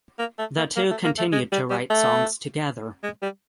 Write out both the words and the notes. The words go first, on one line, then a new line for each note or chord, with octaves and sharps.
The two continued to write songs together.
A#3
A3
A#3
A#3
A3
A#3
A3
G#3
G3
G3
A3
G#3
G3